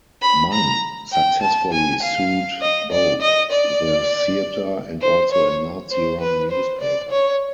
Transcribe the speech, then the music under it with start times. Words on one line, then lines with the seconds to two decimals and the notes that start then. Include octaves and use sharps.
Mann successfully sued both the theatre and also a Nazi run newspaper.
0.22 B5
0.52 A#5
1.12 G5
1.42 A5
1.72 G#5
2.02 F5
2.61 D#5
2.92 D5
3.22 D#5
3.52 D5
5.02 C5
5.32 C#5
5.91 C5
6.20 B4
6.51 C5
6.80 D5
7.11 C#5